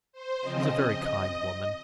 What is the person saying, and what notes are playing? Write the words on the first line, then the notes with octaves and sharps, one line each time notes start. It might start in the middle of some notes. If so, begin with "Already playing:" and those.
She is a very kind woman.
C5
C#3 F3 C4 D#5
D#5